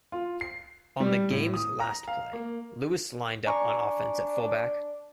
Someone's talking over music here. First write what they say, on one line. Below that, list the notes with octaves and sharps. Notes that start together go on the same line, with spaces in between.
On the game's last play, Lewis lined up on offense at fullback.
F4
C7
G3
A2
D#6
A#5
F5
A#3
D4 G#5 A#5 C#6